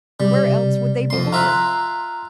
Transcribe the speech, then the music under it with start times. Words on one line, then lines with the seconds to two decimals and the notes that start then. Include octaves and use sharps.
"Where else would they be born?"
0.20 C3 G3
1.10 F2 C6
1.32 F4 E5 A#5 C6 F#6